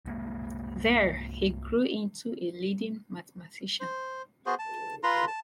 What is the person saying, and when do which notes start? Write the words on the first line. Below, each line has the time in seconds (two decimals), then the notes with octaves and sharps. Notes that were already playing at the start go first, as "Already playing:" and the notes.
There he grew into a leading mathematician.
0.06 C2 G#3 A#3
3.80 C5
4.46 B3 F#4 G#4 C5
4.59 A5
5.03 F4 B4 A#5 C6
5.27 A5